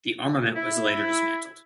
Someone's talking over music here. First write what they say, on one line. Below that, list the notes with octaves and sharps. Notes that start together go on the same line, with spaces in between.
The armament was later dismantled.
E4